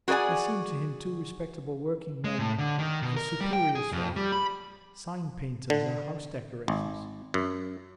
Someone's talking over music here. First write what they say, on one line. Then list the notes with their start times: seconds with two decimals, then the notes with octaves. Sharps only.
They seemed to him two respectable working men of a superior sort--sign painters or house decorators.
0.08 F#4 G#4 A#4 D5 G#5
2.24 G#3
2.39 A2
2.58 D3
2.79 D#3
3.02 B2
3.16 A#4
3.41 G3
3.53 G5
3.75 G#4
3.92 F2
4.16 G3
4.32 B5
5.70 D3
6.68 G#1
7.34 F#2